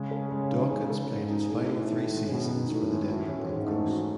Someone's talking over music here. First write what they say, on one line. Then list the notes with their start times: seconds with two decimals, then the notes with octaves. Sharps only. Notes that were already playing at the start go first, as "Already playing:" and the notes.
Dawkins played his final three seasons for the Denver Broncos.
Already playing: C#3 G#3
0.11 A4
0.31 G#3
0.51 D#4
0.71 C#3 G#3
0.90 A4
1.10 G#2 G#3
1.30 D#4
1.50 A2 G#4
1.70 D#4
1.90 D#3
2.09 G#3
2.29 B2 G#4
2.49 D#4
2.68 A2 D#3
2.89 G#3
3.09 F#4
3.28 C#4
3.48 G#2 E3
3.68 A3
3.87 F#4